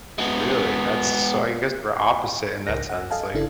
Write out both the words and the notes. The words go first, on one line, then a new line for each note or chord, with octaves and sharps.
Really, that's so I guess we're opposite in that sense, like,
G#3 B3
C#2 A#4 A#6
F#5 E6
A4 D#5 F5 G#5 A5
G1 C#3 D4 E4 A4